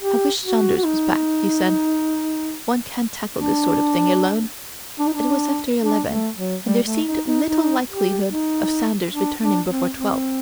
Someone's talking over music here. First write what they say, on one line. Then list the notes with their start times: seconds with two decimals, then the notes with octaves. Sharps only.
"I wish Saunders was back," he said; "one can't tackle this sort of thing alone." It was after eleven, and there seemed little likelihood of Saunders returning before twelve.
0.01 G4
0.44 F#4
0.77 F#4
0.84 D#4
3.34 D4
4.99 D4
5.07 D#4
5.13 D4
5.82 D4
6.10 A3
6.37 F#3
6.66 G3
6.86 A3
7.07 D#4
7.27 D#4
7.47 D#4
7.90 G4
8.31 D#4
9.13 D4
9.41 D4
9.69 C4
9.96 C4